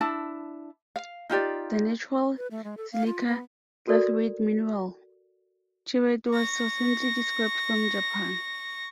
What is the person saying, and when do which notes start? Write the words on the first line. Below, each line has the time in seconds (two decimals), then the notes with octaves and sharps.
The natural silica clathrate mineral, chibaite was recently described from Japan.
0.01 D4 E4 A5
0.96 F5
1.30 D#4 F4 G4 D5
2.37 B4
2.51 A3
2.64 G#3
2.77 A4
2.92 F5
3.07 F4
3.26 B3
3.87 F#4 A4 A#4 D5
6.31 C#6 A#6